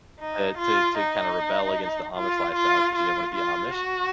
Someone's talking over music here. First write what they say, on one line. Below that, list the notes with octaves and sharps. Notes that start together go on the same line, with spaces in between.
to to to kinda rebel against the Amish lifestyle, 'cause she didn't wanna be Amish
D#4
F4
D#4
F4
F4
F4
F4
F#4